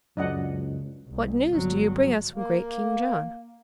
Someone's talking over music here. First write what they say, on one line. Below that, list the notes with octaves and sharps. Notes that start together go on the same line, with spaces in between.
"What news do you bring us from great King John?"
C#2 F#2 D4 D#5 F#5
C2
G1 F#3
A#3